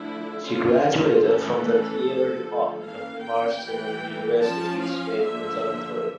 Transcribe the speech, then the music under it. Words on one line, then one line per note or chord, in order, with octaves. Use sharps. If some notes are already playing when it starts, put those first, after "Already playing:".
She graduated from the Theater Department of Mimar Sinan University State Conservatory.
Already playing: D3 F3 A3 D4 E4
D3 F3 C#4 F4
E3 A3 C#4 A4
D3 F3 A3
E3 A#3 C#4 F5
G5
E3 G3 A#3
F3 C#4 A5
F5
D3 F3 A#3 E5